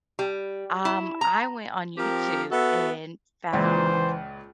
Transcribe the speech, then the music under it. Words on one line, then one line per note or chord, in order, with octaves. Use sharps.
Um, I went on YouTube and found
G3
E4
A#5
F3 C4 G4 A#4
B3 F#4 A4 E5 F#5
C#2 A#2 E3 C5